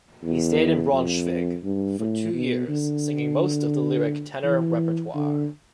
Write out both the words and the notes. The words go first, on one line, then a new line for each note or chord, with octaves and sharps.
He stayed in Braunschweig for two years, singing most of the lyric tenor repertoire.
E2
F2
G2
A2
B2
D3
E3
D3